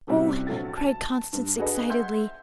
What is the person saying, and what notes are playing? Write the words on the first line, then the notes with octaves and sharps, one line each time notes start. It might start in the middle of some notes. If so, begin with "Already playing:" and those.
"Oh," cried Constance excitedly.
A2 C3 G3 C4 C#4 F#4
A#1 F#3 A3 A6
A5
G2
D4 F#4 G#4 A4 B4 D#5
E5 F#5 C6 G6 G#6